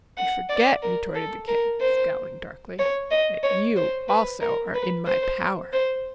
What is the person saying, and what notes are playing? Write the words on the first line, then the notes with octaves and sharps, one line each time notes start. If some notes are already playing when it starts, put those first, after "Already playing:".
"You forget," retorted the King, scowling darkly, "that you also are in my power."
F#5
D5
A#4
A4
A#4
C5
C#5
D#5
C#5
C5
B4
A#4
B4
C5
C5